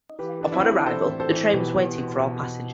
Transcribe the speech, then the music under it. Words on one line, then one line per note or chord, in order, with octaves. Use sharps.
Upon arrival, the train was waiting for all passengers.
E3 G4 B4
E3 D4
C4 E4
E3
E3 A4 C5
A2
A4 C5
E3
B2 G4 B4
B2
B2
B2
B2